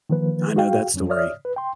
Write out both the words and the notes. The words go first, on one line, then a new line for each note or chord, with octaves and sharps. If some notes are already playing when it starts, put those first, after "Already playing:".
I know that story.
D#3 F3 A#3 B4
F#4 G#4 F5 G5
F2 F#3 C#4
C#5 D5 E5 D#6 F6
B4
G5 C6